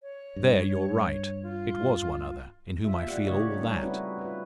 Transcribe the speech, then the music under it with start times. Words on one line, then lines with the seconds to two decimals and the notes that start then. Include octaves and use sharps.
"There, you're right, it was one other, in whom I feel all that."
0.02 C#5
0.36 G2
1.43 F4
2.85 F4 E5
3.06 A#3 G4 D5 F#5
3.26 C#3 A3 D#4 G4 C#5 D#5
3.59 G3 C#4 D#4
3.82 C4 D#4 E4 F#4 B4
4.18 F4 B4